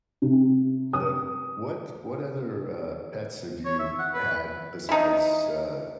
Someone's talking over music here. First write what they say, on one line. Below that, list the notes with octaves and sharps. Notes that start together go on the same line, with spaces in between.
but what what other, uh, pets have you had besides, uh
C3
D#6
C#5
E5
F#5
B4
D#4 E4